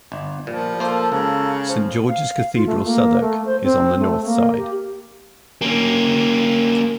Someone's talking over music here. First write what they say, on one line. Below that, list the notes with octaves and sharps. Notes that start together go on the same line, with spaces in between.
Saint George's Cathedral Southwark is on the north side.
G1
A#2 F3 G3
A#3 F4 A4 C5
C#2 C#3 A#3
F3
F5
F4
A3
A#3
A3
C5
C4
A3
A#3
G4
A#3 C#4